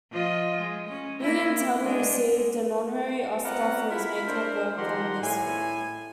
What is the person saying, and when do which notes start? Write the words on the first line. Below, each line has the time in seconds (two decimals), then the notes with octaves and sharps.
William Tuttle received an honorary Oscar for his makeup work on this film.
0.12 F3 F4 D#5
0.60 G#3
0.89 C#4
1.20 A#3 E4
1.82 G#3 D4
3.44 B3 C4 F4 D5 F#5 A#5
3.91 E4 F4 A#4 B5
4.27 D4 A#4 C5
4.77 D#3 F3 G4 F#5 A#5 C6
5.21 A2 G#5